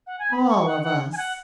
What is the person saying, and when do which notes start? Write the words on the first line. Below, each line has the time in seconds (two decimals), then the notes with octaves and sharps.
"All of us."
0.07 F#5
0.19 G#5
0.31 B5
0.49 C#6
0.66 F#5
0.83 F#5
1.13 G#5
1.17 F#5